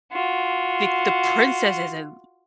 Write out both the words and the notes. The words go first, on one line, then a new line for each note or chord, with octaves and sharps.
the the princess is in
F4 F#4